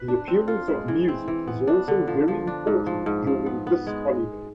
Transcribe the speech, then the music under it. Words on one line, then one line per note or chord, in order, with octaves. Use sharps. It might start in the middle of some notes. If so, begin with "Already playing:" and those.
The appearance of music is also very important during this holiday.
Already playing: B4
D4
C4
F4
G#3
E3
C4
E3
B3
D4
D3
F3
F3
D4
G#2
F3
G#2
F3
B3
B3
G#3